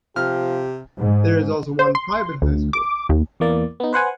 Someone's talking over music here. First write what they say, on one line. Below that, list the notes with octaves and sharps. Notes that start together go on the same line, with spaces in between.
There is also one private high school.
C3 F3 G4 F6
G#2
C5
C6
D2
D6
D#2
E2 E3 A#3 D5
B3 D#4
B4 C5 F#5 G#5